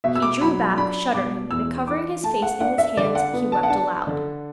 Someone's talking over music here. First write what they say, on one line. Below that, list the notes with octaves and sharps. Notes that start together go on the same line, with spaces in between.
He drew back shuddering, and covering his face in his hands he wept aloud.
B2 E5
E6
D6
F#3 B5
D4 B5
B2 D6
E2 E6
E3 D6
A3 A5
F#5
D4 F#5
E5
D3 D5
F#5
B3
A5
F#5
D4 A5
D3